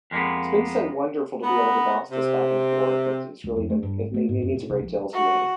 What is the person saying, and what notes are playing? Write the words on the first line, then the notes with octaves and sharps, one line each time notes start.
It's been so wonderful to be able to bounce this back and forth, it's it's really been a it mean means a great deal to me.
F2 G#3 A#3 B3
B3 A#5
C3 C4
C#2
F2
A3
G2
G#1
A3
G#2
F#2
A#2
C2
A#1
F#4